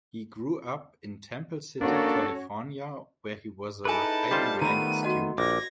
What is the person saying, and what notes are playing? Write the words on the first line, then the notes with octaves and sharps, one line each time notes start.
He grew up in Temple City, California, where he was a highly ranked student.
A#3 C#4 D4 F#4 A4 C#5
D#4 E4 G#4 A4 B4 G#5 A5
G3 F4 C5
D#3 A3 B3 A#5 B5 D#7
F#4 D#5 F#5
A#1 D6 G#6 A#6